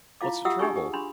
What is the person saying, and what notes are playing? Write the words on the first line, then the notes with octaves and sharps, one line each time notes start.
"What's the trouble?"
E4 F4 F5 D6
F4 G4 E5 F#5 D#6 E6
D4 D#4 G4 G#4 G#5 C#6
G4
D4 B5 C6